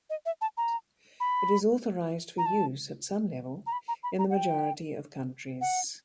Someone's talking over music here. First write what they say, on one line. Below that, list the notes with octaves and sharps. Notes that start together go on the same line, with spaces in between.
It is authorized for use at some level in the majority of countries.
D#5
E5
A5
A#5
B5
A#5
A5
A#5
B5
A#5
B5
A#5
F#5
G5
F#5